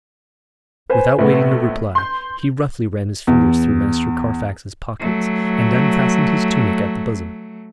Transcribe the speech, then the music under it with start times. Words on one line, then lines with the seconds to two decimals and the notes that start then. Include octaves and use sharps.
Without waiting a reply, he roughly ran his fingers through Master Carfax's pockets, and unfastened his tunic at the bosom.
0.90 B4 C5 G#5
1.19 A#1 A3 B3 B4
1.95 C6 G6
3.27 E2
5.00 F#3 A3